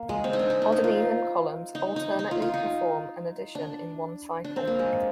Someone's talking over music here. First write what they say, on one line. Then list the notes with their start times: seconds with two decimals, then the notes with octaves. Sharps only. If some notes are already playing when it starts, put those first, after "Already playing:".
Odd and even columns alternately perform an addition in one cycle.
Already playing: A#3
0.09 G#3
0.24 C4
0.33 D#4
0.39 D4
0.50 D#4
0.62 D4
0.72 D#4
0.84 F4
1.75 D#4
1.96 D#4
2.19 D#4
2.31 F4
2.42 F4
2.54 D#4
3.55 D4
4.44 D4
4.56 C4
4.67 A#3
4.79 G#3